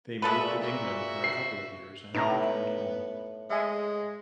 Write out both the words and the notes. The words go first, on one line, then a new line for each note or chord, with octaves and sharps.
They moved to England for a couple of years and returned home.
A#2 G#3 F#4 A4 B4 E5
F#4 E5
C7
A2 B3 D#4 E4 A#5
G#3 E5 G#5